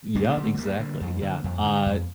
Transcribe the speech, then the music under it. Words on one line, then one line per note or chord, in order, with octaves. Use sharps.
Yeah, exactly, yeah, uh
D2 A#3 D4
A#3 D4
D3
A3 C4
A3
D2 G3 A#3
D3
F2
D3
F2
D3
F2